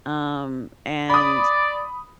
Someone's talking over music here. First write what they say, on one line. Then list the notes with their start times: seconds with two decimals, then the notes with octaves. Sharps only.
um, and,
1.10 D5 B5 D#6